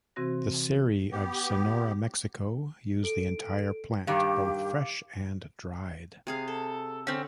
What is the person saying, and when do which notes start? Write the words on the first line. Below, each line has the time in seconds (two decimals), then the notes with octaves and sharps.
The Seri of Sonora, Mexico use the entire plant both fresh and dried.
0.16 C3 E3 C4 F#4 C5 A#6
1.12 B3 G4
3.03 A4 D7
4.07 G2 D#3 G4 F5 D6
6.27 C3 G#4 F5
6.48 A4
7.07 D3 C4 C#4